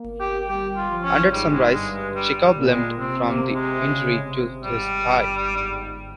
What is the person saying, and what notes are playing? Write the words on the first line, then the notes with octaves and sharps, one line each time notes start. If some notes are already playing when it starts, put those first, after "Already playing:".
And at sunrise, Jacob limped from the injury to his thigh.
Already playing: A#3
G4
G3 G4
F4
F3
C#4
G#2 G3
G#3
G2 G#3
G#3
G3
G3
A#2
G#3
C3 C4
A#3
G#3
C#3
C3
G#2 G3
G2
G#2